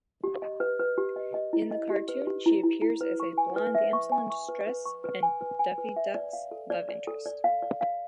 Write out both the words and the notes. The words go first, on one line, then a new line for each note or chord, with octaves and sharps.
In the cartoon, she appears as a blonde damsel-in-distress and Daffy Duck's love interest.
G4
D#5
B4
B4
G4
D#5
D#5
E4
D#5
G4
B4
G4
E4
E4
E4
B4
C#6
G#5
B4
E5
C#6
G#5
C#6
B4
B4
C#6
B4
G#5
B4
G#5
B4
E5
D5
F5
A4
D5
D5
A4
D5
F5
D5
F5